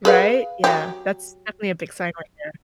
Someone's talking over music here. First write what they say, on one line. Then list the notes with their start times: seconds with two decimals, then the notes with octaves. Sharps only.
Right? Yeah, that's definitely a big sign right there.
0.05 G#4 B4 F5
0.64 F#3 G4